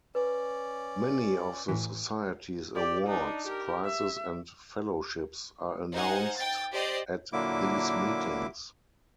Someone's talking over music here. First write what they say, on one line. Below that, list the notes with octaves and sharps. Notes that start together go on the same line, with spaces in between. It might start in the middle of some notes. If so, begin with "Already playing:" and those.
Many of the society's awards, prizes and fellowships are announced at these meetings.
C#4 B4 D5
A2 E3
G4 D5
D4 D#4
G4 A#4
E5
D#4 C5 F5 F#5 G#5
G5 A6
G4 C5 D5 D#5
A#2 D3 F#3 A#3 E4 D6